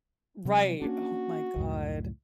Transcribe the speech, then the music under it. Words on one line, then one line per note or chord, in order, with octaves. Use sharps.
Right. Oh my god.
C3 F#3 C4
A#3 C#4 D4 F#4
C#2 F#2 A2